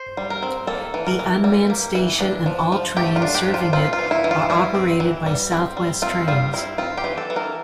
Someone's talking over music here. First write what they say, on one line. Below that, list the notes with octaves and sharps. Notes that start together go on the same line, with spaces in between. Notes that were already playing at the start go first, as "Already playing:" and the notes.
The unmanned station and all trains serving it are operated by South West Trains.
Already playing: C5
G3
A#4
C4
A#3 A4
E3
A#4
E3
G3
A#3
E3
D4
F3
F3
A3 G4
F4
D4
G4
F3
F4
C4 F4
F4
E3
E4
E3
F4
G3 E4
C4
E3
G3
C4
G3
C4 F4
G3 F4
C4 E4
C4 F4
G4
E3
A4
E3
A#4